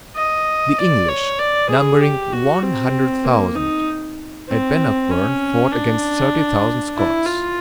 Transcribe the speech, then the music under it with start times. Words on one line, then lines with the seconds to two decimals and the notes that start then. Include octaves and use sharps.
The English, numbering one hundred thousand, at Bannockburn fought against thirty thousand Scots.
0.16 D#5
0.78 D5
1.09 C#5
1.39 D5
1.70 G#4
2.01 G4
2.33 F#4
2.62 C4
3.25 A#3
3.56 D#4
4.49 C4
5.11 C#4
5.72 D4
6.96 E4
7.26 F4